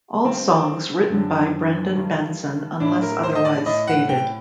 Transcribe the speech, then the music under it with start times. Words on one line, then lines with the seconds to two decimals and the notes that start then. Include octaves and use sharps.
All songs written by Brendan Benson unless otherwise stated.
0.24 G2 D#3 C4
1.10 F#2 D3
1.95 G2 D#3
2.80 A2 D4
3.02 A#4
3.23 C5
3.35 D#5
3.45 D5
3.66 A2 D#5
3.87 F#5
4.09 G5